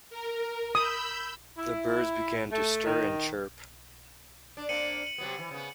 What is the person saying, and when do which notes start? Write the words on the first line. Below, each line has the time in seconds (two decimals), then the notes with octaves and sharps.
The birds began to stir and chirp.
0.10 A#4
0.75 B5 D#6 E6 G6
1.57 E4
2.52 A3
2.85 D#3
4.57 D4
4.69 A#3 C4 D4 C#7 D#7 F#7
5.07 F#7
5.18 C3 F#3 B3
5.39 E3
5.51 C#3 B3